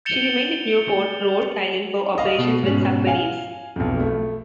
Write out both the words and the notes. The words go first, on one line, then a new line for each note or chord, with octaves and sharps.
She remained at Newport, Rhode Island, for operations with submarines.
G6 A6 C#7 E7 F7 G7
D#5 F5
B2
G#2 B2 C#4
F5 G#5
B1 F2
A3